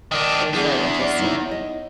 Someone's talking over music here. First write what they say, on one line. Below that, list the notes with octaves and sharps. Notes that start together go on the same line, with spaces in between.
it was really interesting.
D#3 D4
E2 D4 G#4
D5
D#4 E4 C#5
D#5